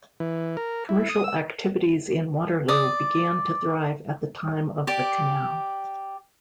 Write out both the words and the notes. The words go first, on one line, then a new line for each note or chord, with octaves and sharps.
Commercial activities in Waterloo began to thrive at the time of the canal.
E3
A#4
E4
D#6
E6
D5 D#6
G4 D5